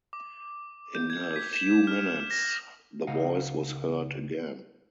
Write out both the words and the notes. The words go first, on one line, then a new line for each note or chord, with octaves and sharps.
In a few minutes the voice was heard again.
D6
G6
G#6
B6
E7
F6
A#6
C#2 C#3 D#4 D#5 F5 F#5